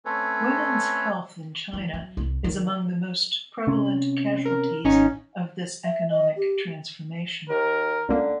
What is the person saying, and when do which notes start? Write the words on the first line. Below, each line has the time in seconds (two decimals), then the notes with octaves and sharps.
Women's health in China is among the most prevalent casualties of this economic transformation.
0.05 A3 C4 C#4 A4 B4 C#5
1.73 E3
1.93 F#3
2.17 C2
2.44 D#3
3.67 C3 C#4
4.45 A#4
4.85 G#1 C#4 D#4
5.84 E5
6.09 D#5
6.37 G4
7.50 D#2 A#4
8.09 C#2 D3 A#3